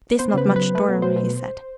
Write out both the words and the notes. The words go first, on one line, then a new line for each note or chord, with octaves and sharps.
"This not much storm," he said.
B3 C5
C5
C#3 B4
F#3
B4
C#3
A3 B4
B2
F#3 C5
B2